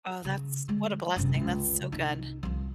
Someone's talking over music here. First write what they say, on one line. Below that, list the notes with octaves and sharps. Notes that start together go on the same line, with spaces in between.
Oh, that's what a blessing, that's so good.
C#3
D3 G#3
F#1 C3
C#2
C2 D#4
C2 F3